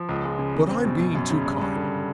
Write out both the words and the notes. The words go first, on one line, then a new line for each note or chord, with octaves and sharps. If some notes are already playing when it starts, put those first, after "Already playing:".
But I'm being too kind.
Already playing: F3
C#2
G#3
C#3
E2
C4
B2
F#2
F#2
C#3
G2
G2
D3